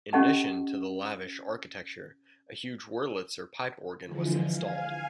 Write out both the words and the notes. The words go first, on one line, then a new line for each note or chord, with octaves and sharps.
In addition to the lavish architecture, a huge Wurlitzer pipe organ was installed.
C#4 G4 A4 D#5 F#5 A5
D3 E3 F3 G#3
F5 G#5